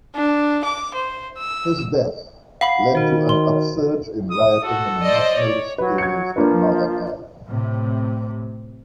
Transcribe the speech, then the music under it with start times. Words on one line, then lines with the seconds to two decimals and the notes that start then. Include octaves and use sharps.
His death led to an upsurge in rioting in nationalist areas of Northern Ireland.
0.15 D4
0.65 D6
0.94 C5
1.38 E6
2.61 F5 F#5 B5 C7
2.95 D#3 F#4 C5
3.29 C6
4.31 D#6
4.63 F#4 A4
5.04 C5 D5 D#5
5.37 C#5 D5
5.78 F#3 B4
5.98 G#6 C#7
6.36 F3 A#3 D4 B4
7.47 A2 C3